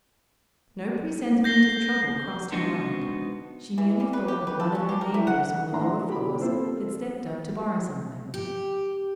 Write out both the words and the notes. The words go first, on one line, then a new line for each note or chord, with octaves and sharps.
No presentiment of trouble crossed her mind; she merely thought that one of her neighbors on the lower floors had stepped up to borrow something.
G6 A#6 C7 G7
G#3 B3 D4 D#4 F#4 C5
E3
G3
B4
G4
B4
A4
C#4
G4
A#4
E4
F#5
A2 D4 E5 F#5 A#5 C6
B2 G4 B5
F3 A#3 C4 A4 C5
G4